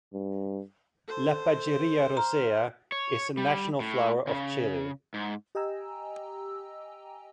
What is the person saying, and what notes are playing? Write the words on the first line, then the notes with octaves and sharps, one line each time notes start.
"Lapageria rosea" is the national flower of Chile.
G2
A4 C5
A#5 F6
C#5
G3
A2
C#3
G#2
G4 D#5 G5 G#5 A#5 E6